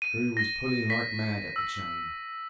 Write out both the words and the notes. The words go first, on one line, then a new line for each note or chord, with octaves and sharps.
True was pulling like mad at the chain.
D#7
A#6
B6
E6